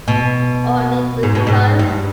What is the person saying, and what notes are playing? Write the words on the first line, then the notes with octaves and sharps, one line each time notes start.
Or need we suppose?
B2
G#2
B2
G#2
G2